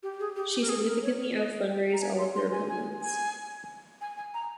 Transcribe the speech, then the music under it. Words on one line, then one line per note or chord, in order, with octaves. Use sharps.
She significantly out-fundraised all of her opponents.
G4
G#4
G4
G4
A#4
G#4
A#4
C#5
C#5
D#5
G5
A#5
G#5
C6
C6
G#5
G#5
G#5
G#5
G#5
A#5